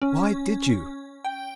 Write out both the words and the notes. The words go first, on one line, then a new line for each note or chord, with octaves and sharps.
"Why did you?"
C#4
G5